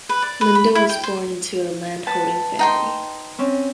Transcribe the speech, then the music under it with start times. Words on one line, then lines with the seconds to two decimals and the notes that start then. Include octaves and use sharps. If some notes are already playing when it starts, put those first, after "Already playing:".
Lindo was born into a landholding family.
0.09 B4
0.22 D5
0.41 B4
0.55 B5
0.75 E4
0.89 G5
1.03 C5
2.07 B4 F#5 A5
2.59 D#4 G5 C6
3.38 C4 C#4